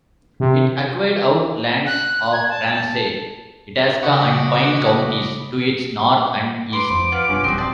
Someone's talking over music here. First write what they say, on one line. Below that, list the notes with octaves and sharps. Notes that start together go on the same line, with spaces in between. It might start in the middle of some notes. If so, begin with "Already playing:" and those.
It acquired out-lands of Ramsey, Itasca and Pine Counties to its north and east.
C3
F#6
G#6
A5
C#3 F#4 D#5 B5 D6
B4 C6 D6
F2 C5
F4 B4 F#5
G2 B2 C#4
E1 A#1 G3 C4 D#4 F#4
C4 D5 A5